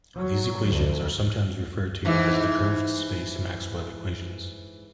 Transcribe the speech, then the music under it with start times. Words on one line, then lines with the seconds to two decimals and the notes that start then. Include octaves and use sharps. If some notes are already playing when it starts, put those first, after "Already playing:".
These equations are sometimes referred to as the curved space Maxwell equations.
0.16 F#3
0.69 D2
2.05 G#2 E3